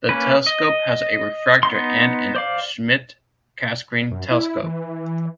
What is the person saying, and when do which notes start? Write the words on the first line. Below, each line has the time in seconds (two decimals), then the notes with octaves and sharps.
The telescope has a refractor and an Schmidt-Cassegrain telescope.
0.09 A#3 C#4 B4
0.46 D#5
1.63 B3 D#4 C6
2.35 C5 D5 F5
4.11 F#2
4.31 E4
4.63 E3